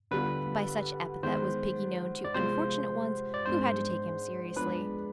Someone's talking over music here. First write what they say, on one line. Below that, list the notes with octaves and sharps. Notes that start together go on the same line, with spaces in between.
By such epithet was Piggy known to unfortunate ones who had to take him seriously.
D3 G3 B3 F4 B4
D#3 G#3 B3 C5
D5
C3 F3 G#3 B3 F4 C5
D5
G#2 F3 G#3 B3 D4 C5
F3 G#3 B3 D4 G#4 B4